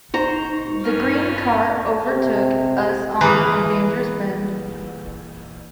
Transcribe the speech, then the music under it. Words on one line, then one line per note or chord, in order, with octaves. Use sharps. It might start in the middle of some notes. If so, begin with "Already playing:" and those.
The green car overtook us on a dangerous bend.
D#4 C5 A#5 C#6
G2 C#4 F6
C3
E3 A#3 G#4 A#4 B4